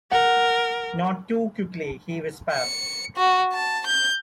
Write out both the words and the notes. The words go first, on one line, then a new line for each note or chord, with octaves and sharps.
"Not too quickly," he whispered.
A#4 F#5
C#7
F#4
A5
G6